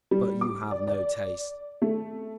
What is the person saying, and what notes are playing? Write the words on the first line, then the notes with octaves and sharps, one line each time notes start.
But you have no taste!
G3
D6
D5
D5
A3